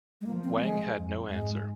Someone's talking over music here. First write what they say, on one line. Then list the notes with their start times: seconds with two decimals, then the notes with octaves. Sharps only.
Wang had no answer.
0.21 G#3
0.26 F3 A#3
0.44 C4
0.61 G#3
0.95 F2
1.29 G#2 G#3